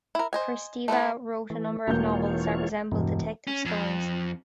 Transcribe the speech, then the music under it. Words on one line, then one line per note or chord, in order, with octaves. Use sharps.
Kristeva wrote a number of novels that resemble detective stories.
E4 A#4
C5 D#5 G#5
A3 B3 C4 E4
E3 A3
E1 E3 A#3 F4 C#5 G6
E1 G2 B2
C#4
F2